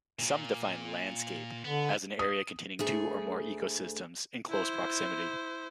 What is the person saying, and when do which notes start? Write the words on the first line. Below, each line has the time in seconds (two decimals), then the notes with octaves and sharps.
Some define 'landscape' as an area containing two or more ecosystems in close proximity.
0.19 A#2
1.65 D3 B3
2.19 D#6
2.79 D2 A3 G#4
4.50 E4 C5